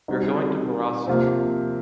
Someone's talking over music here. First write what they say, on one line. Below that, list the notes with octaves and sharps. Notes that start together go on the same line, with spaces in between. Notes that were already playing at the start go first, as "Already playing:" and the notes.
We are going to Borrassà.
G3 C4 D#4 F#4
C3 F3 A#3